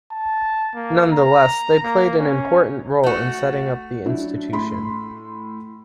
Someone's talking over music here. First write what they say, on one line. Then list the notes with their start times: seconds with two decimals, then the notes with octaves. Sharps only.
Nonetheless, they played an important role in setting up the institution.
0.12 A5
0.75 A#3
1.13 A#5
1.83 A#3
2.19 C#4
3.04 A3 F#4
4.06 F#3 D4 E4
4.52 A2 B5 C6